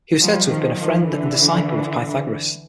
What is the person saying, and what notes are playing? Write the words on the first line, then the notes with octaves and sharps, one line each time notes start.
He was said to have been a friend and disciple of Pythagoras.
F3 G3
D#3 F3
D#3 F3
D3 E3